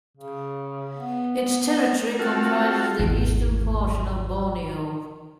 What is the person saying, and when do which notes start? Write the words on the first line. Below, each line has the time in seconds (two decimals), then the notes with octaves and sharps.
Its territory comprises the eastern portion of Borneo.
0.17 C#3
0.97 B3
2.19 C4 F4 F#4 A4
2.99 G#1 E2